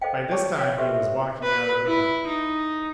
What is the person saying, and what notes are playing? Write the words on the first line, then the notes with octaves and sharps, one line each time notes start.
By this time he was walking out of the tunnel.
A4 C5 D#5 F5 G5
C#5 G5 A5 C#6 D6
C#5 F5 G5
F#4 G4 A4 B4 C5 E5
B4
E4
D#4